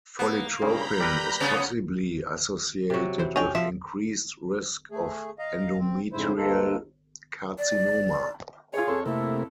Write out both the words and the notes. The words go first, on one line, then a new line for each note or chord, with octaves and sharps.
Follitropin is possibly associated with increased risk of endometrial carcinoma.
A#3 B3
G2 C#3 A#5 B5 G6
G3 A#4 B4
C#3 B3 C#4
C3 F#3
E3 C5
A#1 C#4 D4 D#5 G5
F3 E5
A3 G#4
D#5 F5 A#5
C4
F2 G#2 C#3 E4 C5
D2 G2 G#3 A#3 A4
D5
F4 G#4 C#5
F2 A4 C#5 C6
C3 A3 A#3 E4